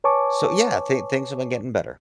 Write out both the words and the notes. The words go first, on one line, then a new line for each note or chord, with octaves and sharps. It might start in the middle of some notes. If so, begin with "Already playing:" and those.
So, yeah, I thin things have been getting better.
B4 C#5 G#5 A5 C#6 D6